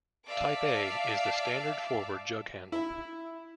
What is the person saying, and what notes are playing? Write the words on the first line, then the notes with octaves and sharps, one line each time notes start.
"Type A" is the standard forward jughandle.
D5 E5 F5 A5 D6 E6
E4